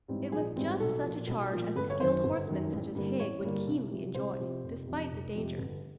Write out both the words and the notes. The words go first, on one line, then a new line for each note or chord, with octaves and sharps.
It was just such a charge as a skilled horseman such as Haig would keenly enjoy, despite the danger.
G#2 E3 G3 C4
A#1 G#4
G#2 E3 G3 C4
B1 A4
F3
A#2
B1
A#2 F3
G1 B4
C#5
F#2 D#3 C5
G1
F#2 D#3
A1
G2 D3 G3 A#3
A1 C#5
G2 D3 G3 A#3
C2
C3 F3
C2 C5
C3 F3
F1
F2 C3
F1
F2 C3
G1